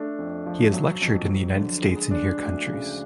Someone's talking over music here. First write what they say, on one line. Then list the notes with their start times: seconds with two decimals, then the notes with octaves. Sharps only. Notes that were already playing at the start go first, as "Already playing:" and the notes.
He has lectured in the United States and here countries.
Already playing: A3 D4
0.19 F2
0.46 F3
0.73 F#3
1.01 F2
1.29 F2
1.56 D3
1.84 G#3
2.11 D4
2.38 D2
2.65 C#3